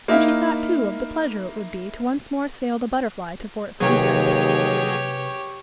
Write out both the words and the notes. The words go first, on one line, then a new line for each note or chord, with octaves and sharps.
And she thought, too, of the pleasure it would be to once more sail the Butterfly to Fort Sumter.
A#3 D#4 E4 E5 F5
D#2 C3 F#3 G4 G#4 B4 C#5 G#6